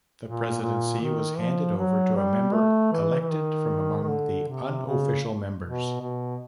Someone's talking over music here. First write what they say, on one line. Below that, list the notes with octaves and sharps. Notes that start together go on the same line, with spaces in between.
The presidency was handed over to a member elected from among the unofficial members.
A#2
A#2
D#3
F3
F#3
G3
A3
E3
E3
D#3
D#3
D3
C3
C#3
B2
B2